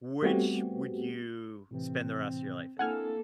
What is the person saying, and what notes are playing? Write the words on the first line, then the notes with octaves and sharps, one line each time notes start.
which would you spend the rest of your life in?
G3 A3 B3 C4 F#4 G4
A2 C3 E3 C4
A#3 C4 D4 E4 A4 F#5 G#5 F6